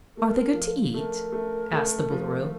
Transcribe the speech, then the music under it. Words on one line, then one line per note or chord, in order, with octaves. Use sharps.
"Are they good to eat?" asked the Boolooroo.
A3 A#4
F3
A3 A#4
A3
A3
F3